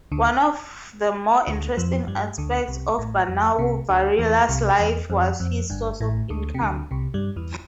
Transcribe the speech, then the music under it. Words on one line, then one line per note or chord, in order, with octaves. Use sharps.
One of the more interesting aspects of Bunau-Varilla's life was his source of income.
D2 D3
D2 D3
F2 F3
G2 G3
D2 D3
C2 C3
A1 A2
F2
C2 C3
D2 D3
E2 E3
C2 C3
E2
F2
F2
G1 G2
A1 A2
D2 D3
C3
D2 D3
C2 C3
G2 G3
E2 E3